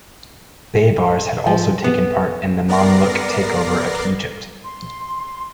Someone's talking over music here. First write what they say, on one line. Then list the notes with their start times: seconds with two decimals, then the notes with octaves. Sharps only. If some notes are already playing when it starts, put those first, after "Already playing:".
Baibars had also taken part in the Mamluk takeover of Egypt.
1.47 F3
1.84 B3
2.68 B3 A#4 D5 A#6 C7
4.64 C6